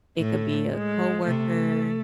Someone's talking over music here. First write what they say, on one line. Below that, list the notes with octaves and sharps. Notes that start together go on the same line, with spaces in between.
It could be a coworker,
A2 A3
G#3
C3 A3